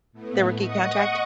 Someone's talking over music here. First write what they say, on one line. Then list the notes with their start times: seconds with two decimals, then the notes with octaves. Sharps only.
their rookie contract?
0.12 A2 A3 B3
0.58 D#5 F#5 C#6 D#6